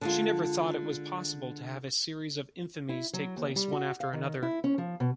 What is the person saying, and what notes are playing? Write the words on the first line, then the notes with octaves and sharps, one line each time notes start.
She never thought it was possible to have a series of infamies take place one after another.
D3 G#3 F4
E4
F#3
D#2
G3
F#4
F5
D#3
E4
C#4
F3
B2